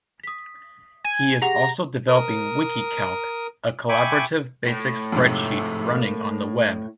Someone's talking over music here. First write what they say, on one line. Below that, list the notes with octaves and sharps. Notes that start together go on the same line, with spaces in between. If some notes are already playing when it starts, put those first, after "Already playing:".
He is also developing wikiCalc, a collaborative, basic spreadsheet running on the Web.
D#6 B6
G#5
G4 G#4 F#5 A#5
A#4 D#6
E5 G5 G#5 B5 C#6 D6
A2
F2 G#2 C3
A#3